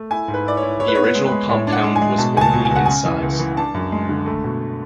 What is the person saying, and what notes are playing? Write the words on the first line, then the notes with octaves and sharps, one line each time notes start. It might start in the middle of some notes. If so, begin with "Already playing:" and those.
The original compound was only in size.
Already playing: A3
E4 G#5
G#2
B4
E4 D5
C#5
E4
E4 C#5
B4
B3 C#5
B4
G#3
B4
G#3
A2 C#5
D4
F#5
G#3
G#5
G#3
B2 A5
C#2 G#5
A5
B2
G#5
C#2
F#5
C#3 G#5
E3
C#2
E3
D4 A5
F#2
G#3
D3
A3
B2